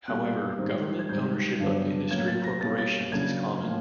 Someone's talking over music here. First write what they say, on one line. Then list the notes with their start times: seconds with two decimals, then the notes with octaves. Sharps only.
However, government ownership of industry corporations is common.
0.08 B2 G3 A#3 F#6
0.58 G#2 D#3 G3 C4
0.99 G#6
1.09 G#2 D#3 G3 C4 G6
1.60 G2 D3 F#3 B3
2.11 A2 F#3 A#3 C#4 G#6
2.28 A6
2.44 A#6
2.61 B2 G3 A#3 C#4 A6
2.78 A6
3.12 C#3 F#3 A#3 D4 G#6
3.62 A2 F3 A#3